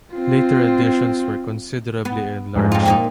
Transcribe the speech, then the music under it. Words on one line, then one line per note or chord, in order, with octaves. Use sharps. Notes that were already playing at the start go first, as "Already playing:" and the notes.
Later editions were considerably enlarged.
C4 F4
B3
F2 G#2
C4 F4
A#2 A#3 D#4